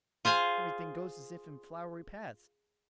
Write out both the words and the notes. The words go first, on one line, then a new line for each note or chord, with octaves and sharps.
"Everything goes as if in flowery paths."
F4 G#4 C5 F5